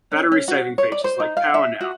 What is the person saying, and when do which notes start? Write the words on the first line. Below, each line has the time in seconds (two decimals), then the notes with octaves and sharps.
Battery saving features, like PowerNow!
0.12 C#4
0.32 C#4
0.48 F#4
0.78 C#5
0.92 D5
1.04 C5
1.20 D#4
1.37 F5
1.54 E5
1.81 F#4